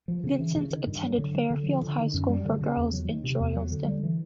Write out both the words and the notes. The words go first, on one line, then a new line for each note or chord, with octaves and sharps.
Vincent attended Fairfield High School for Girls in Droylsden.
F3
C#3
E3
C#3
D#3
G2
F#3
D3
F#3
D3
F3
D3
D#3
F#2
G3
D3
C#3
E2
F#3
D#3
C3
E2
F#3
D3
G3
E3